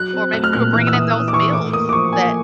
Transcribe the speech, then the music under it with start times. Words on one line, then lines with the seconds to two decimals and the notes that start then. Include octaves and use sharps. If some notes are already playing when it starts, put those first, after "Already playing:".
Or maybe if you were bringing in those meals that
Already playing: F#3 F#6
0.13 C4
0.33 A3 F#6
0.44 F6
0.53 A#2 F#6
0.73 E3 F6
0.87 E6
0.93 E3 D#6
1.13 E3
1.28 D6
1.33 E3 C#6
1.53 A2 D6
1.73 A#3 D#6
1.89 D6
1.93 F3 C#6
2.13 A#3 G#5